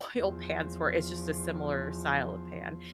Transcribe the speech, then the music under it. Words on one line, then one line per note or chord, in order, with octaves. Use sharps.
oil pans for it's just a similar style of pan.
E2 F3